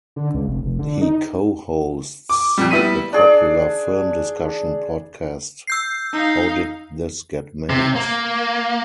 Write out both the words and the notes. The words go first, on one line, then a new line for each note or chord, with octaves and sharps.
He co-hosts the popular film discussion podcast How Did This Get Made?
D3
C#2
F1
F1
D3
D#4
D6
F2 A#2 G3
G3 B3 E4 B6 D#7
D4 G#4 D5
E6 G6 C7
D#4 F5
C3
A#3